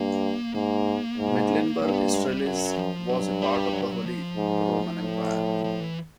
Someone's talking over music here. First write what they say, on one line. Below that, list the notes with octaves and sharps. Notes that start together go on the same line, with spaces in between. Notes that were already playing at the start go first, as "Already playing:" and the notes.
Mecklenburg-Strelitz was a part of the Holy Roman Empire.
Already playing: G2 A#3
G#2 A#3
G#2
G2 A#3
B3
A#3
G#3
G3
F#2 F#3
F3
G2 F#3
G3
F#3
G3
F#3
F3
G#2
A2
F3
E3